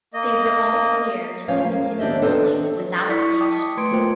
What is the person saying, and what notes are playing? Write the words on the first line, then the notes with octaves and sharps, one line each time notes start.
They were all cleared to continue bowling without sanction.
A#3 D#5
F3 C#4 C#5 F5
A#3
D#2 D4 G4 D#5 E5
B3 C4 D4 A4
A4
E4 D5 C#6 B6 C#7
D#5 G5 A5 D6 D#6
A3 B4 C6 G#6 C#7 D7
A3 A#3 F4 A#4 C5 G5